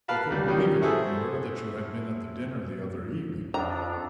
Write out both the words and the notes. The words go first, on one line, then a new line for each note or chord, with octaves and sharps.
We couldn't believe it when we heard that you had been at the dinner the other evening.
A#4 B4 F5 A5 B5
C#2 G3
D#3 G3 C#4
E4 F#4 G#4 A4 C5 E5
F2 D4 A#5